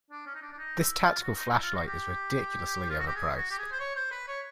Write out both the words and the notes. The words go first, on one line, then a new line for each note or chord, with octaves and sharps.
This tactical flashlight is ridiculously overpriced.
D4
C#4
D#4
D4
D4
D#4
E4
F4
F#4
D#4
E4
F4
F#4
G4
F4
F#4
G4
G#4
F#4
G4
G#4
C5
C#5
C5
B4
C#5